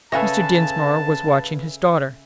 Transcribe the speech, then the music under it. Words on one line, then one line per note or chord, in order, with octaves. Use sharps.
Mr. Dinsmore was watching his daughter.
C#3 A4 B4 E5 F5 G#5 A5 A#6